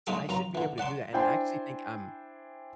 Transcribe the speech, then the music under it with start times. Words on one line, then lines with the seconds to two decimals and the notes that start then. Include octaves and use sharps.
I should be able to do that, and I actually think, um,
0.07 G#3 A3 D4 F4 G#4 A4
0.29 F#2 F4 A#5
0.55 D3 E3
0.78 D5 F#5 A5 C6
1.13 D4 E4 C5 G5 G#5 C6